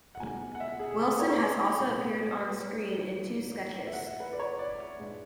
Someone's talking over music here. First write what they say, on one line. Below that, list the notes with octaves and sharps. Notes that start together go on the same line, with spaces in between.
Wilson has also appeared on-screen in two sketches.
F#5
B1 B2 G#3 G#5
F#5
E5
G#4
G#4
A4
B4
C#5
C#5
D5
B1 A2 G#3
B4
A4
B4
C#5
G#2 E3 G#3 D4
E5
F#5
E5
B4
D5
C#5
D5
G#2 G#3 D4